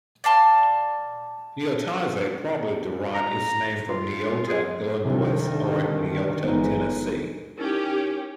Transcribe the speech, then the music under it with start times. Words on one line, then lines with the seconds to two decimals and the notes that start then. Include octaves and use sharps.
Niotaze probably derived its name from Niota, Illinois or Niota, Tennessee.
0.24 D5 F5 A5 C6
3.15 A#5
3.88 F4
4.48 G#4
5.05 C2 D3 D#3
6.43 G1 E3 G#3 B3 D#4
7.58 C#4 D#4 E4 G4 A#4